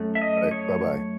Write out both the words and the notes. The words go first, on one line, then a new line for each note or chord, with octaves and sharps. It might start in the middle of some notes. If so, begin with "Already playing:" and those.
Alright, bye-bye.
Already playing: F#2 A3
E5
D#5
C#5